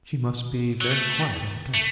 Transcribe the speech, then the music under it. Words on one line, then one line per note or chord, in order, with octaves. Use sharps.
"She must be very quiet all day."
F#3
A3
A3